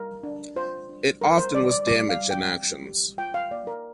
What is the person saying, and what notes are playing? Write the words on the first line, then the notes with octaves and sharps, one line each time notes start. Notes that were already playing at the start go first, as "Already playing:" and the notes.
It often was damaged in actions.
Already playing: G3 A#4
D4
F4 C5
D4
G3 A#4
C5
G3 D5
D5
G3 D5
F5
G3
G5
C4
G4
F4 G5
F5
A#3 D5
A#4